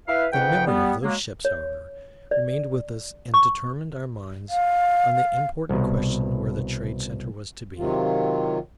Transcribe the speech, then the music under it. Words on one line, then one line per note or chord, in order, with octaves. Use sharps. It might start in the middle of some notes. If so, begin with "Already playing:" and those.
The memory of those ships, however, remained with us and determined our minds on the important question where the trade center was to be.
E4 B4 F5
F2 G#2 C#3 B4 F#5 G5
G3 B3
F#3 G#3 A#3
C#5
D5
C#6
F5
C2 B2
C3 D#3 F#3 F4